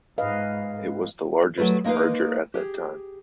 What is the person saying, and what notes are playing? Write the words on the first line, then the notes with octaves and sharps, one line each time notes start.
It was the largest merger at that time.
G#2 B4 D#5 F5
F#3 G3 A3 A#4 B4
G#3 A#3 D#4 A#4 B4 F5
G4 G#4